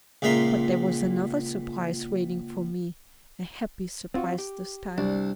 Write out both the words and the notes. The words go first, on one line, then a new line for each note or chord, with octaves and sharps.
But there was another surprise waiting for me; a happy surprise this time.
C#2 A#2 G#4 E5 A#5 C6
C4 F4 F#4
G4
C2 D4